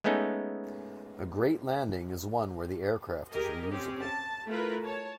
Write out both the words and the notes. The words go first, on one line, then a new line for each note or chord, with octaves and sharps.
A great landing is one where the aircraft is reusable.
G#3 A3 B3 C#4 D#4 A4
G4 G#4 A#4 D#5
C4 C#4 G4
A5
A3 E4 F4 A#4 B4
C#5 A5